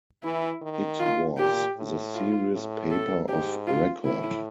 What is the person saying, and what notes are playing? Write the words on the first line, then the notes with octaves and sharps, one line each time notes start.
It was the serious paper of record.
E3 E4
D#3
F4
A#2 G4
A2
F4
A2
A4
G#2 G4
F4
A2 E4